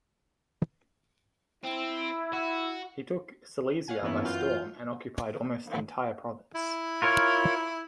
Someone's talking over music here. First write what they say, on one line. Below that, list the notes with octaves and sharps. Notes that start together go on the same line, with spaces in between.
He took Silesia by storm and occupied almost the entire province.
C4 E4
F#4
C#5 F5 F#5 G#5
G2 E3 A#3 B3 C#4 E4
F#2 E3 F4 F#4 F6 G6
E4
F4 A#4 C#5